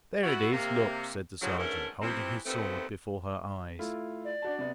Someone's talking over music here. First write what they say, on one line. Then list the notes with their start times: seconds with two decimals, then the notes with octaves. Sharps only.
"There it is, look," said the sergeant, holding his sword before her eyes.
0.23 A3 B3 E4 F#4
0.52 C3 A#3
1.41 A2 C#3 F3 F#3
1.58 G#2 D3 E3 A3 C#4 A#4
2.02 C3 E3 F3 C4
2.45 D#2 A#2 A3 B3 C4
3.79 A3 E4 F4
4.25 D5
4.42 D4 F#4 A5
4.59 C3 B3